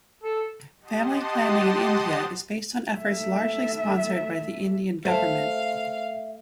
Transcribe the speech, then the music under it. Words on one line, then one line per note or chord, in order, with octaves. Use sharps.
Family planning in India is based on efforts largely sponsored by the Indian government.
A4
G4 D#5 F#5 A5 C6 D#6
A3 E5
A3 C5 E5 F5 A5